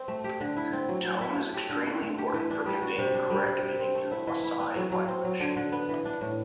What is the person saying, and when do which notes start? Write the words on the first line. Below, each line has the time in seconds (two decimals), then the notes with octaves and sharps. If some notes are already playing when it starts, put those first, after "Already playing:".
Tone is extremely important for conveying correct meaning in the Maasai language.
Already playing: C4
0.08 A3
0.24 G4
0.41 D3
0.57 E4
0.73 C4
0.89 F#3
1.05 F#3
1.21 E4
1.37 A3
1.54 G4
1.70 D3
1.86 E4
2.02 A3
2.18 G4
2.34 E3
2.50 D4
2.66 G3
2.82 F#4
2.98 C3
3.14 D4
3.30 G3
3.46 C3
3.63 C3
3.79 C4
3.95 A3
4.11 E4
4.27 E3
4.44 E4
4.60 B3
4.76 F#3
4.92 F#3
5.08 C4
5.24 F#3
5.40 D3
5.57 D3
5.72 B3
5.89 E3
6.05 D4
6.21 A2